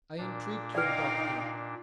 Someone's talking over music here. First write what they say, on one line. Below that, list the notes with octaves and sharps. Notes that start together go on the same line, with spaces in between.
"I entreat you, doctor!"
A#2 D4
D#4 B4 D5 F5 G5